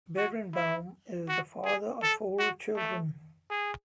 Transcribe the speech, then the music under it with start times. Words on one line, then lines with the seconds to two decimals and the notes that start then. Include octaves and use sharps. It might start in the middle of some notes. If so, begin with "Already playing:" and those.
Berenbaum is the father of four children.
0.17 F#4
0.54 E4
1.28 F#4
1.65 G#4
2.02 A4
2.39 F#4
2.76 A3
3.50 G#4